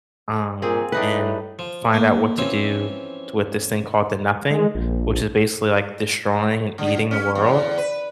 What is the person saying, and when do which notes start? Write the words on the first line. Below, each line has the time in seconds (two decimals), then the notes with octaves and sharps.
um, and find out what to do t with this thing called the Nothing, which is basically, like, destroying and eating the world.
0.62 A#2 C4 G#4
0.92 A2 D4 D#4 B4
1.59 F3
1.94 A#3
2.38 E3 F3 C4 C#4
4.50 G#3
4.75 A#1
6.78 D3
7.11 C#4
7.35 E2
7.78 B4